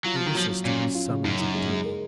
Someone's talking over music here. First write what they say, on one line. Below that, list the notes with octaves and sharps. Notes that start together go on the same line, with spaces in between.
Irresistible summons of duty!
F#3 F4
F3 F#3
D#3
F3 F#3
F4
A#2 C#4
C#4
F4
C#3
F#2 D#4
D#4
G#3
G#3
A#4